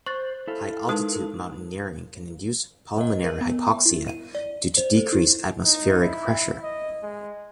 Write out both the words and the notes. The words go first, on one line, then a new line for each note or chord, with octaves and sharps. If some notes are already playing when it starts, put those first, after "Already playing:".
High-altitude mountaineering can induce pulmonary hypoxia due to decreased atmospheric pressure.
C5 C#6 F#6 A6
E4 A4 F5
G#3 D#4 A#4 B4 A5 D#6
A#4
D#5
A#4
B3
E5
E4
D#7
D5
C5
A4
E4
D#4
E4
D#5
G#3